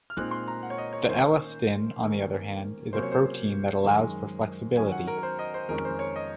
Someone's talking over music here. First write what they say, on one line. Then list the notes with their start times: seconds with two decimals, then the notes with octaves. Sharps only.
The elastin on the other hand is a protein that allows for flexibility.
0.10 F6
0.17 A#2 G#3 C4 D#4 F#6
0.31 C6
0.48 A#5
0.63 F#5
0.70 C#5
0.78 D#5
0.93 C#5
1.09 D#3 A#3 C#4 C5
2.01 D#3 A#3 C#4
2.93 C3 F#3 A#3 C#4 C5
3.03 C#5
3.12 C5
3.84 F#2 D#3 G#3 C#4
4.77 D#3 F#3 C#4 G#5
4.92 F#5
5.07 A#4
5.18 A#4
5.23 C5
5.39 D#5
5.54 C5
5.69 F2 D#3 G#3 C#4 A#4
5.85 C5
5.99 C#5
6.16 D#5